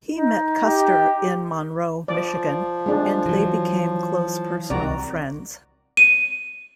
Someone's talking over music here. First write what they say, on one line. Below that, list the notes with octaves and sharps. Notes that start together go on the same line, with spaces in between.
He met Custer in Monroe, Michigan, and they became close personal friends.
D#4
G4
F3 D5
G#3 D4
E3 F#3
C2 C3 D#3 F#4 D5 A#5
D#7